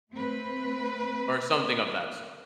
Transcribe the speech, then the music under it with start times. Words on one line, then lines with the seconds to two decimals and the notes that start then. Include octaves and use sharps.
or something of that sort.
0.12 A3 C4 B4